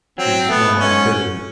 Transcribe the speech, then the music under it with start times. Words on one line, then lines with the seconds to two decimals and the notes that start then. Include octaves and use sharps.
He smiled bitterly.
0.18 F#3 C4
0.49 A3 B3
0.80 G#2 C#4